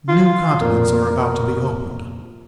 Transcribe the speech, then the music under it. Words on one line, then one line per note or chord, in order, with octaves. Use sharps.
New continents are about to be opened.
F4
F2 A#2 A#4